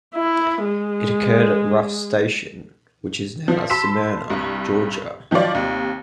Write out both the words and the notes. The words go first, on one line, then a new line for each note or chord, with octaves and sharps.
It occurred at Ruff's Station, which is now Smyrna, Georgia.
E4
G#3
F3
A5 B5 C6 E6 B6 E7
C2 G2
D#3 F3 F#3 F4 D5
D#2 C3